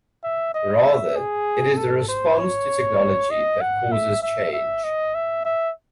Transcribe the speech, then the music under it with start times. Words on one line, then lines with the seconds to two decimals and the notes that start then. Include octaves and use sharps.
Rather, it is the "response" to technology that causes change.
0.24 E5
0.54 D#5
0.85 E5
1.16 G#4
1.77 A4
2.08 C5
2.38 C#5
3.31 D#5
3.61 F#5
3.92 E5
4.23 E5
4.53 E5
4.84 D#5
5.15 E5
5.45 E5